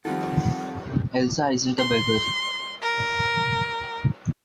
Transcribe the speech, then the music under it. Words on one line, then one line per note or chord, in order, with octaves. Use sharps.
Elsa isn't a beggar!
D#3 F3 G3 C4 F4 A4 F#5
C6
A#4